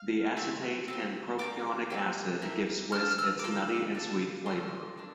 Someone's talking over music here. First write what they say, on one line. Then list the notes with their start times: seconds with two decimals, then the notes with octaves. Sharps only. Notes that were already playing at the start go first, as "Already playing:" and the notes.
The acetate and propionic acid give Swiss its nutty and sweet flavor.
Already playing: F5
0.37 A3 C4 E4 G4
0.88 C4 E4
0.93 G4
1.39 A#3 D4 G4 D6
1.90 C4 E4 G4
2.42 A#3 E4 A4
2.92 D4 A4 F6
3.11 F6
3.18 E6
3.39 D6
3.44 A#3 F4 A4 E6
3.95 D4 F4 A4
4.46 A#3 F4 A4 C6
4.97 A#3 D4